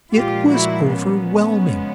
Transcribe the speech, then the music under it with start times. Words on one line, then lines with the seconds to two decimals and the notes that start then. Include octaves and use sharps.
It was overwhelming.
0.13 A#2 F3 G#3 F4 G4
0.50 E4 F#4
0.87 B3 C#4
1.64 C#3 F3 G#3